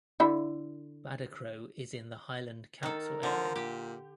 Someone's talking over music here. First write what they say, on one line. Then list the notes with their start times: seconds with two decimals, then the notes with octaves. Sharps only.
Badachro is in the Highland council area.
0.20 D3 E4 E5
2.83 D#3 A4 A#4
3.23 D3 F3
3.56 A#2 G4